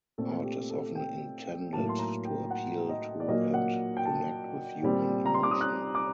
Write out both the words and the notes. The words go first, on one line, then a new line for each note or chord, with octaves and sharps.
Art is often intended to appeal to and connect with human emotion.
A#2 A3 C4 A4
G4
A4
G5
A2 F#3 A#3 A5
C6
A#5
G5
F#5
D#5
D5
A#2 F#3 A#3 D#5
F#5
G5
A5
A#2 G3 C4
A#5
C6
D6
D#6
F#6
D6